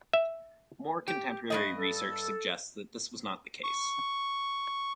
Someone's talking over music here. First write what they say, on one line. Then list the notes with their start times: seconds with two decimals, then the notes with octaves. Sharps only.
More contemporary research suggests that this was not the case.
0.13 E5
1.08 G4
1.50 G2 F3 D#5
1.76 A4
3.64 C#6